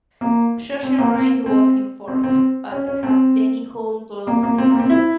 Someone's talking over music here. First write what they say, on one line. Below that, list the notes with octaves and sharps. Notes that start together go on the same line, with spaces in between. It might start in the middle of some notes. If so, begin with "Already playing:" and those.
Jochen Rindt was in fourth, but has Denny Hulme close behind.
A#3
C4
A#3
C4
C4
C4
C4
C#4
C#4
C4
A#3
A#3
C4
A#3
C4
E4